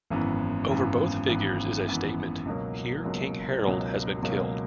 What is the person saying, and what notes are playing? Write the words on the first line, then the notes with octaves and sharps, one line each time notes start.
Over both figures is a statement "Here King Harold has been killed".
G#1 F#2 E3 B3
G#1 F#2 E3 B3
G#1 F#2 E3 B3
G#1 F#2 E3 B3
C#2 B2 F#3 A#3
C#2 B2 F#3 A#3
C#2 B2 F#3 A#3
C#2 B2 F#3 A#3